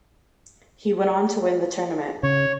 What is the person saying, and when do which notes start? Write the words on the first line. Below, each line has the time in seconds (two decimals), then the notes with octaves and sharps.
He went on to win the tournament.
2.23 C#3 C#5